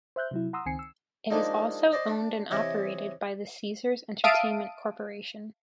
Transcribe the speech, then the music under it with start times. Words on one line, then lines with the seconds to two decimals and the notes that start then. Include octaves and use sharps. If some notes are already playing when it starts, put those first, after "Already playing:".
It is also owned and operated by the Caesars Entertainment Corporation.
0.16 C5 E5 F#6 G6
0.31 C3 F#3 E4
0.53 F#5 A#5 C6 D#6 E6
0.66 C#2 D#3 C4 G#5 C7 C#7
0.79 E6
1.30 F3 G#3 A#3 D4 D#4
1.92 C5 D5 D#5
2.08 D4
2.50 C3 E3 C#5 D#5 E5
4.24 E5 F5 A5 D#6 D7 D#7